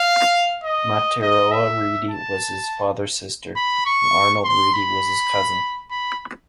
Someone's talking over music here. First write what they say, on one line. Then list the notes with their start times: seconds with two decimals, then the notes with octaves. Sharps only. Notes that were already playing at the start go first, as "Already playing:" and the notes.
Materoa Reedy was his father's sister, and Arnold Reedy was his cousin.
Already playing: F5
0.64 D#5
1.22 D#5
1.52 E5
2.10 A5
3.56 B5
3.86 C#6
4.45 C6
4.74 B5
5.91 B5